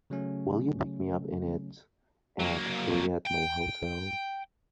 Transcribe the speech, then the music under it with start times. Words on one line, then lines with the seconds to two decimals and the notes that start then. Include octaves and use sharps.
Will you pick me up in it at three at my hotel?
0.10 C#3 F#3 A3 C#4
2.40 F#3 A#3
3.25 G5